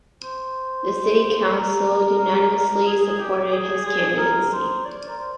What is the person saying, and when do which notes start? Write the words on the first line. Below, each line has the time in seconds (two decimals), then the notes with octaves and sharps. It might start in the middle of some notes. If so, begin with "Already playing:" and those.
The City Council unanimously supported his candidacy.
0.23 C5
1.55 A#4
2.86 G#4
3.09 G#4
3.19 G4
3.52 G#4
3.85 G#4
4.18 A#4
4.52 C5
4.85 D5
5.07 A#4
5.17 C5